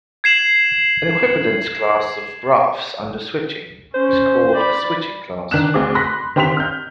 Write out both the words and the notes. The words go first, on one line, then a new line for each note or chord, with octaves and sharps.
An equivalence class of graphs under switching is called a switching class.
G#6 C7 E7 F#7
C#4 C5
D5 B5
D#3 D4 F#6 E7
D2 C4 G#4 D6
B5 C6 F#6 A#6 B6
D#3 C4 G4 C6 B6 F7
F6 G6